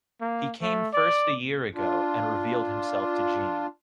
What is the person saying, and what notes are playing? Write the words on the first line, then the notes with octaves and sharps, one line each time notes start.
He came first a year ago, and revealed himself to Jeanne.
A#3
A3
D5
D4 F4